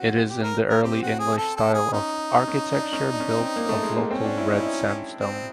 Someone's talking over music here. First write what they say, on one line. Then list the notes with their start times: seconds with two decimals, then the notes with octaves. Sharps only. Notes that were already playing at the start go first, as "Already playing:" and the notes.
It is in the early English style of architecture built of local red sandstone.
Already playing: C4 F#4
0.29 G4
0.43 A#4
0.70 A#4
0.83 C4 G4
1.02 F#4
1.19 G#4
1.38 A4
1.56 A4
1.74 G#4
1.92 C#4 D#4
2.47 C#4
2.75 D4
2.93 C#4
3.01 D4
3.12 D4
3.20 C#4
3.37 C4
3.56 A#3
3.69 A3
3.83 G#3
3.97 A#3
4.11 C4 C#4
4.24 D4
4.38 E4
4.52 D#4
4.60 E4
4.65 D#4
5.19 C4